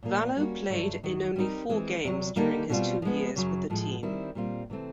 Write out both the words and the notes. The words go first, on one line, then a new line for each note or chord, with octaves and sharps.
Vallow played in only four games during his two years with the team.
A#2 F3 A#3
G3 A#3 C#4 F#4
G2 D3 F#3 A3
F#2 D#3 F#3
G3 C4 D#4 G4 A#4
E3 G#3 C4
E2 C3 D#3 F#3
D3 G3 A#3 D#4 G4
B2 G3 C4 F4
F3 G#3 B3
F#2 C#3 F#3
A2 F3 G#3
D#3 G3 C4 E4
A#2 G3 C4 F4
C3 E3 A3 C4